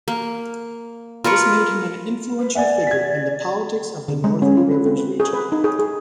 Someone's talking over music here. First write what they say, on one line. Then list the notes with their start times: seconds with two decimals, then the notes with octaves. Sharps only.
This made him an influential figure in the politics of the Northern Rivers region.
0.08 A#3
1.24 F4 A#4 B4 C#6
2.38 B4
2.55 D5 E5 F#5 G#5
2.87 G#6 B6
4.08 D3
4.24 G#3
4.42 C#4
4.57 F4
4.71 B4
4.86 C4
4.98 B4
5.20 G#4
5.33 B4
5.52 D#4
5.64 G#4
5.79 G#4